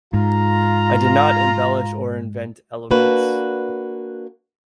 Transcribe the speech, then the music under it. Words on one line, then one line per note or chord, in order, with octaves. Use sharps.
I did not embellish or invent elements.
G#2 F4 A#5
A#3 D4 F#4 B4